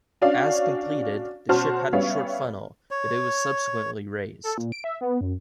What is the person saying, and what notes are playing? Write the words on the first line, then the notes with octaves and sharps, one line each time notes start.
As completed the ship had a short funnel but it was subsequently raised.
C#4 D4 F#4 F5
B2 C#4 F#4 C5 A5 F6
G3 B3 C#4 C#5 E5 F5
C#5
A4
A#2
D7
E5
B3
F#2